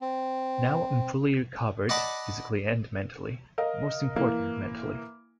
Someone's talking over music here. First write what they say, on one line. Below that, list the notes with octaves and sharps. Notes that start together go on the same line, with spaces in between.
Now I'm fully recovered, physically and mentally, most important mentally.
C4
D5 D#5 F#5 A5 B5 D6
A#4 D#5 F5
E3 A#3